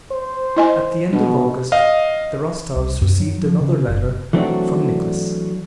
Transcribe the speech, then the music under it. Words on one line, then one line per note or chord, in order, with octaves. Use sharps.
At the end of August the Rostovs received another letter from Nicholas.
C5
E4 D#5 G#5
B2 D4
D#5 F5
C2
F#2
F#3
F3
C#3
F#1
E3 F#3 A3 C4 D4 F#4